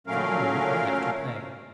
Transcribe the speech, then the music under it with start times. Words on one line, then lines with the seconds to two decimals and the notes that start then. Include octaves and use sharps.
If I lose I have to pay.
0.07 A#2 F#3 A3 C#4 A#4 F5